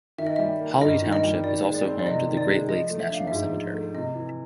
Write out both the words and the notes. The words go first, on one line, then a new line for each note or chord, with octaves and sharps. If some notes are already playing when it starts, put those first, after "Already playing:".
Holly Township is also home to the Great Lakes National Cemetery.
D#3 E5
D#5
G3 E5
A#3
G2 D#5
D#3
D#5
G3
D#3 D5
G#3
D5
C4
D5
C3 D#5
D#3
D5
G#3
F3 D#5
A3
E5
D4 F5
G#2 E5
F3
A3
C3 D#5
E3